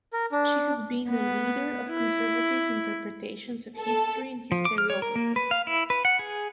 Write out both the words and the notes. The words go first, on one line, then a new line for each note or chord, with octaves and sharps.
She has been a leader of conservative interpretations of history and historiography.
A#4
D4
B3
E4
A4
F3
D6
F6
C#5
A#4
A#3
B4
F5
E4
B4
F#5
G#4